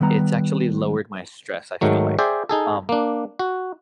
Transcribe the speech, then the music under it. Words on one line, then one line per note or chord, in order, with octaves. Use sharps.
it's actually lowered my stress, I feel like. Um,
D#3 G3 B3 A#5
G#2 D#3 F#3 A3
G#4 C5 D5 E5 G5
D#4 G#4 A4
A#3 D4
F#4